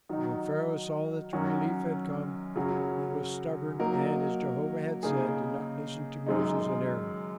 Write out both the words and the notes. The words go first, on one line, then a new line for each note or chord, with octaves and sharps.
But when Pharaoh saw that relief had come, he was stubborn and, as Jehovah had said, did not listen to Moses and Aaron.
D#3 F#3 D#4
F#2 D#3 F#3 C#4 F#4
F#2 C#3 F#3 C#4
F#3 A#3 D#4 A#4
C#3 A#3 D#4 G#4
F#2 D#3 G#3 D#4